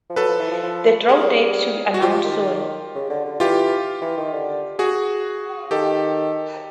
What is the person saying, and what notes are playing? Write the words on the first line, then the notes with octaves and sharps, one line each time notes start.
The draw date to be announced soon.
F3
F#3 A4 B4
F3
E3
F3
F3
G3 G#4 A#4
F#4
F3 F4 G4
D#3
C#3
D3
D3
E3 F4 G4
E3
D#3
D3
F#4 G#4
D#3 G4 A4